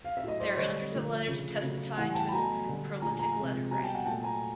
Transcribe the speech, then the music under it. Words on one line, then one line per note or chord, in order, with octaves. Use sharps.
There are hundreds of letters testifying to his prolific letter writing.
F5
E5
A2 F#3 A3 D#5
C5 D5
D3 G3 C#5 D#5
D3 F3 A3
C#3 F3 A3
C#3 F#3 A3
A2 E3 G3 F#5 G#5
G5 A5
B5
B2 F#3 A3 G#5 A#5
D3 G3
A#2 F3 A3 G#5 A#5
G#5 A#5
C3 F3 G#3
B2 G3 G#5 A#5
G5 A5
F#5 G#5
A#2 F#3 A3 G5 A5
G#5 A#5